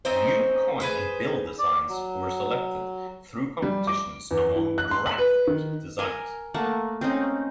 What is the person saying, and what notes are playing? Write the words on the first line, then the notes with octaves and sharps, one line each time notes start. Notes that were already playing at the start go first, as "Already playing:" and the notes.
New coin and bill designs were selected through competitions among graphic designers.
C4 C#4 D#4 C5
G#4 B4 C5
D5
F#3
G3
D6
E2
E3
F#6
C6
F#7
B4
D#3
A#4 G#5 A#5
A3 A#3 F#5
C4 C#4 D#4